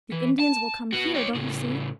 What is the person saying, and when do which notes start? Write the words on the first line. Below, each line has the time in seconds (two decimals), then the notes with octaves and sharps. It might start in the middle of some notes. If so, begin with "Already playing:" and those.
The Indians will come HERE, don't you see?
0.12 E3
0.39 A5
0.92 B3 F#4
1.14 D#4 C#5
1.35 A2 C#3